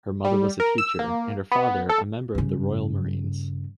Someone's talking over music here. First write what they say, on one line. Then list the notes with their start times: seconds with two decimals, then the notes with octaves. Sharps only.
Her mother was a teacher and her father a member of the Royal Marines.
0.25 G3
0.60 A#4
0.78 E6
0.99 A#3
1.52 B3
1.89 A4
2.35 G2 C#3